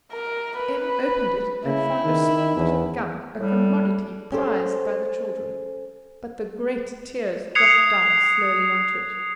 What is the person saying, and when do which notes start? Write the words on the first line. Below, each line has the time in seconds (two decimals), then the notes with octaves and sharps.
Em opened it and found a small bit of gum, a commodity prized by the children; but the great tears dropped down slowly on to it.
0.12 A#4
0.57 B4
1.65 C#3 E4
2.05 D#3
2.56 E2
3.39 A2 G3
4.32 C#4 G4 A4 C5
7.55 D#6 F#6 G#6 C7 C#7 F7